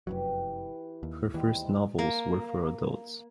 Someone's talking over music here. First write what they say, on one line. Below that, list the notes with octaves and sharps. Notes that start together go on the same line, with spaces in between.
Her first novels were for adults.
F1 F#2 E3 F#3 G4 B4
D#2
D#2 E3 G3 G#3 C4
A#3